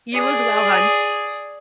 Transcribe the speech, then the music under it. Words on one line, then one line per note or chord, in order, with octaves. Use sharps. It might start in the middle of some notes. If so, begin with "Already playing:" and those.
You as well, hon.
G#4 D5